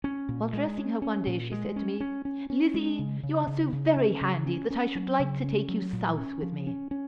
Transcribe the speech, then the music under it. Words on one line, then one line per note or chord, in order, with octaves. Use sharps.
While dressing her one day, she said to me: "Lizzie, you are so very handy that I should like to take you South with me."
C#4
A#2
G#3
C#4
C#4
A#2
G#3
C#4
C#4
C#4
C#4
G#3
C#3
C#3
C#3
C#3
C#4
C#3
C#4
C#4
F#3
C#3
C#4
F#3
A#2
C#4
F3
C#4
C#4